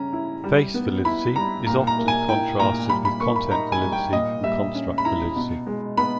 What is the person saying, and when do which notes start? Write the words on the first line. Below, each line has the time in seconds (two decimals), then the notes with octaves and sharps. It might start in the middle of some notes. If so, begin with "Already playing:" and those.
Face validity is often contrasted with content validity and construct validity.
Already playing: C#3 G3 C#4 A#5
0.13 E4
0.44 G3
0.74 B3
1.05 E4 B5
1.36 G3 A#5
1.66 A#2 A#5
1.87 A#5
1.98 A#3
2.08 G#5
2.28 E4 G5
2.59 A#2 A#5
2.90 G3 B5
3.05 B5
3.20 A#3 C#6
3.36 B5
3.51 D#4 A#5
3.72 G#5
3.82 G3
3.92 G5
4.13 A#2 D#5
4.43 G3 E5
4.75 C#4
4.98 B5
5.05 E4 A#5
5.36 B2
5.67 G#3
5.97 B3 B5